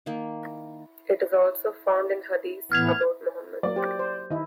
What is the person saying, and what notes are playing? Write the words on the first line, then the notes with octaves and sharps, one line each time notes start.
It is also found in hadith about Muhammad.
D#3 A#3
A2 E3 B3 F6 G#6 F7
F#3 A#3 D5
G4 C5
C5
D#3 E4 D#5